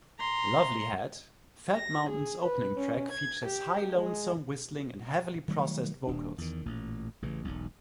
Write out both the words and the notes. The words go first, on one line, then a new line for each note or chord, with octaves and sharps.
"Lovely Head", "Felt Mountain"'s opening track, features high lonesome whistling and heavily processed vocals.
A#5 C6
A#6
G#4
B4
C#4
G#6
G4
G#3
D#3 F#3 G3 A3
D#1 D4
E2 D#3
A1 A#2
A1 C#3 E3
E1 B1